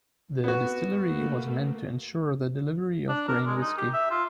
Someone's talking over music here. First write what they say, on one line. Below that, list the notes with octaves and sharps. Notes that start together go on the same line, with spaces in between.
The distillery was meant to ensure the delivery of grain whisky.
B3 F#4
A3 A#3
D4
A#4
G#3
D#4
G4
E5
F4